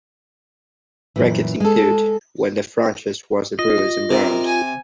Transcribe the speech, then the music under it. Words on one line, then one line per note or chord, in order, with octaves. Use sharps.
Records include when the franchise was the Brewers and Browns.
F#2 A#2 E3
G#3 A4
F4 D#5
C3 A#4
G#5